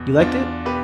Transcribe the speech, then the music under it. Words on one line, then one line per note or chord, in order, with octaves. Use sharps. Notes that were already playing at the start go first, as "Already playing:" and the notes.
You liked it?
Already playing: E2 B2
E2 D4 F4
B2 G4 B4